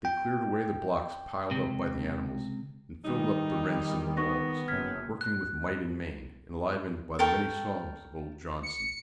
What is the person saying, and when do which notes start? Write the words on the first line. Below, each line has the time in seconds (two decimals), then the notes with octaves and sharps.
They cleared away the blocks piled up by the animals, and filled up the rents in the walls, working with might and main, enlivened by the many songs of old Johnson.
0.05 G5
1.51 C#2 G2 C3
3.05 D#3 G3 D#4
4.17 B3 D#4 C#6 A#6
4.68 F#1 F#2 F6 G#6 B6
5.21 F#6
7.19 A4 A#4 G5 C#6
8.63 C#7